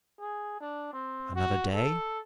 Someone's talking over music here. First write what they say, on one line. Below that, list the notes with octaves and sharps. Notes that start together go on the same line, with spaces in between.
Another day?
G#4
D4
C4
F#4
A4